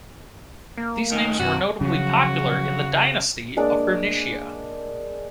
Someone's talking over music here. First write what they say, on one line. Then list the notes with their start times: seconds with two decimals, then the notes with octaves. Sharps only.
These names were notably popular in the dynasty of Bernicia.
0.78 A#3
1.12 D#3 A3 G#5
1.40 G2 C3 F#4
1.81 C#3 F3 F#3 F#4
3.57 G#3 A#3 D4